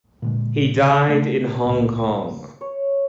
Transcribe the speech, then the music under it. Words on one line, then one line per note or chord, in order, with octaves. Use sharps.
He died in Hong Kong.
A#2 D3 G#3
B1 D3
C#3 A3 D4
G#1 C#2 A#2
C#5